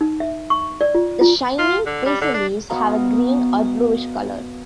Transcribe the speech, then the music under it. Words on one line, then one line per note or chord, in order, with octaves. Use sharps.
The shiny, basal leaves have a green or bluish color.
D#4
E5
C#6
D5
F4
F4
F4
D3
G3
D3
D4
B2 B3 F5 A#5